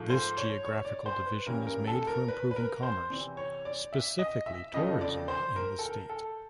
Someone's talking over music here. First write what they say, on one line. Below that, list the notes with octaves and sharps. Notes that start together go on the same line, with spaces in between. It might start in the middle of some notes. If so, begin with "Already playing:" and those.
This geographical division is made for improving commerce, specifically tourism, in the state.
Already playing: G#2 F3 A3
C5
C#5
C#5
D5
C5
B4
G2 E3 G3 A#3 C#4 A#4
A#4
A4
A#4
B4
B4
A#4
C5
E2 C3 E3
C#5
D5
E5
D#5
E5
F2 C#3 F3 A3 D4 D#5
D5
C5
A#4
A4
A#4
A4